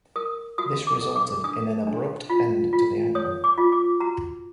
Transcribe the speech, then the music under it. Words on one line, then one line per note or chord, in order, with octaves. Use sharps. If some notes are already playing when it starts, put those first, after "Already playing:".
This resulted in an abrupt end to the angle.
A#4 D#6
F#4 D#6
D6
A4
D6
D4 D#6
D4
F4
F4
C#5 D#6
D6
F4
D6
F#4 A#5